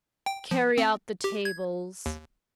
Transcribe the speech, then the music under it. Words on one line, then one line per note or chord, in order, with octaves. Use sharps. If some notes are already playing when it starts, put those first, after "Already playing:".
"Carry out the tables."
G5
F3
C4
G4
G#6
D#2